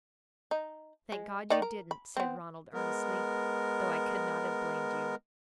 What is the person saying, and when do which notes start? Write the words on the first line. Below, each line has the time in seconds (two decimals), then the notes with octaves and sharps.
"Thank God you didn't," said Ronald, earnestly, "though I could not have blamed you."
0.51 D#4
1.12 G#3
1.50 D#3 D#4 D5
1.62 A#4
1.91 B5
2.17 B3 C4
2.74 G#3 B3 A#4